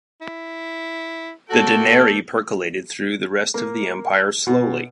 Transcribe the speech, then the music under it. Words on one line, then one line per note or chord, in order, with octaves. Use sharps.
The denarii percolated through the rest of the empire slowly.
E4
A#3 F#4 A4 C#5 G5 A5
A#3
B2